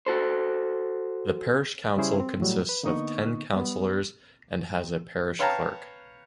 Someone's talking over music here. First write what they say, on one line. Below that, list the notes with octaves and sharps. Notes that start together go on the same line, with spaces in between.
The parish council consists of ten councillors and has a parish clerk.
F#4 A4 C5
C#3 G3 C#4 E4 G#4 C5
C4
A2 F#3 G3
B4
D3 A#3 B3 D#4 D#5 C#6
G3 B3
B4 C#5 F5 G5 A5 A#5